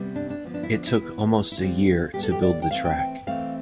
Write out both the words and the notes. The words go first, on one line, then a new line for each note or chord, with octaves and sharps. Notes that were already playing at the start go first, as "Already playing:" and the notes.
It took almost a year to build the track.
Already playing: C3 G3 B3
D4
D4
D3 F3 B3 C4
D4
E4
D4
E4
E3 B3
E4
D3 G3 C4 F4
A2 G3 B3 G4
A4
G4
D5
G5
E3 A3 C4 F5
G5
G5
E3 A3 C4 F5